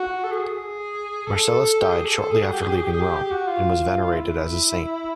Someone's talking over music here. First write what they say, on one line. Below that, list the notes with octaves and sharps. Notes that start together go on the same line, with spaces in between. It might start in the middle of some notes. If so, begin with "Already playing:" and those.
Marcellus died shortly after leaving Rome, and was venerated as a saint.
Already playing: F#4
A4
G#4
A4
G4
G#4
A4
A4
G#4
F#4
G4
G#4
G4
G#4
G4
G#4
G4
G4
F#4
F4
E4